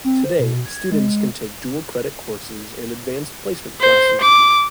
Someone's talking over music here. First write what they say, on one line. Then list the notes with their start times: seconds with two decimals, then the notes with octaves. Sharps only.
Today, students can take Dual-credit courses and Advanced Placement classes.
0.04 C4
0.25 C5
0.39 B2
0.66 G#6
0.92 G#3
3.81 C5
4.22 D6